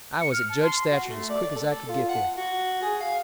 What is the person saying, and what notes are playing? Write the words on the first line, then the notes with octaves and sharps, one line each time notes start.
I was at Judge Thatcher's as quick as I could get there.
C#7
F6
A5
C6
F#4
A3
D5
D5
A4
F4
F#5
F#4
G#4
F5